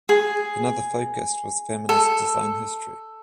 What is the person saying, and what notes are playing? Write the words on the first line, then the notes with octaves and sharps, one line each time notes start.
Another focus was feminist design history.
G#4
A4